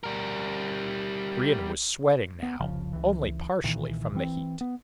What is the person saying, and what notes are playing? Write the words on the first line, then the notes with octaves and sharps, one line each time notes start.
Brion was sweating now, only partially from the heat.
G3 A#4
B3
F1 C2 C#3 F3
C#2 E3
C2 A#2 D#3 E3
E3 C4
B3